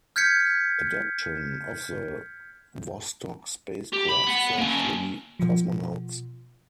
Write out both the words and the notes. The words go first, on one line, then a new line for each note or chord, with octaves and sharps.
Adaptation of the Vostok spacecraft for three cosmonauts.
F6 G6 G#6 B6 C#7
G4
B5
B3 F#5
A#3 C#4
B2 F3